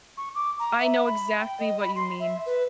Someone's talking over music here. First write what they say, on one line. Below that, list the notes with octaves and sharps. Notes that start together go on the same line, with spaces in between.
I know exactly what you mean.
C#6
D6
A#5
E5
B5
G5
D#5
B5
C6
E5
B4